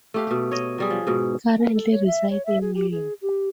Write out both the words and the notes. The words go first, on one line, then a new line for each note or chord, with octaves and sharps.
He currently resides in New York.
A3 G4 F5
B2 G4
C#5 D#5
F#3 G3 G#4
F3
G#2 B2
A#4
A4
C#5
E5
C#5
E5
G#4
G4
G#4
G4